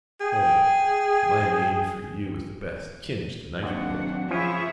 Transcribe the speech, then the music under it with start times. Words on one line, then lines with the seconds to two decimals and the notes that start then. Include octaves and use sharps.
O, my name for you is the best: Kinch, the knife-blade.
0.21 G#4 G5
3.63 D#2 F#3 C4 D4 F#5
4.31 F3 C#4 E4 F4 G#4 C#5 E5 C#6